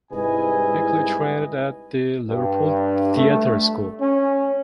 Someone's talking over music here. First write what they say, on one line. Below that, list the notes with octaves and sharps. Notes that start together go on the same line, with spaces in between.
Bickley trained at The Liverpool Theatre School.
C2 G#2 E4 B4 D#5 G#5
G2
A3
C#4